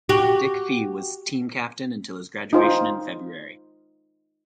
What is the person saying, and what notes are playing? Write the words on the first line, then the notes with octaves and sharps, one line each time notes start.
Dick Fee was team captain until his graduation in February.
F#4 G4
D#4 F4 C5